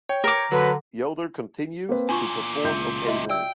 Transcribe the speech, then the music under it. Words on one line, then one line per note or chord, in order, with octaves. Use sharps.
Yoder continues to perform occasionally.
C#5 G5
A#4 D6
D3 F#3 B4
A#3 C4 B4
E2 A#2 D4 F4 G#5 C#6
C#2 E5 C6 G6
F#4 D#5 E5
D5 E5 G5 E6